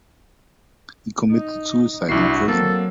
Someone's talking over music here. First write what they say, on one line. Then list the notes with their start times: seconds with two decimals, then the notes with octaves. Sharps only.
He committed suicide in prison.
1.31 D#4
2.09 C2 D4 E4 F#4 C7
2.48 F#3 A#3 C4 A4